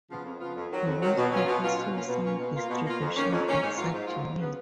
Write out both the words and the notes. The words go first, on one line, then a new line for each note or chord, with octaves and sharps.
The newspaper saw some distribution outside Germany.
C#3 F3 B3 F4
F2
C#3 F3 B3 F4
F2
D#3 F#3
F2
D#3 F#3
B2
F#3 C#4 F4
B2
F#3 C#4 F4
B2
A#3 C#4 F4
B2
A#3 C#4 F4
B2
A#3 F4
B2
A#3 F4
F2
D#3 A#3 C#4
F2
D#3 A#3 C#4
G#2
F#3 A#3 F4
G#2
F#3 A#3 F4
F2
C#3 F#3 B3